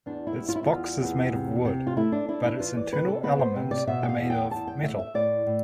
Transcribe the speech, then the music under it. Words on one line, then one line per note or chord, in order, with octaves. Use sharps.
Its box is made of wood, but its internal elements are made of metal.
E2 D4
E4
G3
F4
E4
F4
E2
E2
C3
C3
F4
A3 E4
D4
D4 E4
E4
E3 F4
D5
C3 B4
A4
B3 B4
C5
C3
D5
B2 E5
G5
F5
E2
G5
E2 A5
G5
A3 E5
E5
A2 D5
A2